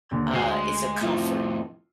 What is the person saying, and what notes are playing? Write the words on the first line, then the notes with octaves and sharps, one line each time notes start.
uh, it's a comfort,
D#2 D3
D2 G#3 C7
F2 A2 E4 F4